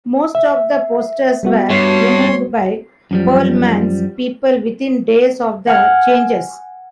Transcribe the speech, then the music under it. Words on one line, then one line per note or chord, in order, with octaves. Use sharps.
Most of the posters were removed by Pearlman's people within days of the changes.
E5
G3 B3 F#4
G2 C#5 C6
F#2 F3 G3
F#5 G#5 F6 G#6